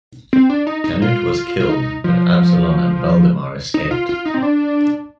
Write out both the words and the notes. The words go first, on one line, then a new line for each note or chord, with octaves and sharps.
Canute was killed, but Absalon and Valdemar escaped.
C4
D4
D#4
D#4
F4
F4
D#4
F3
D#4
F4
F4
D#4
C4
D4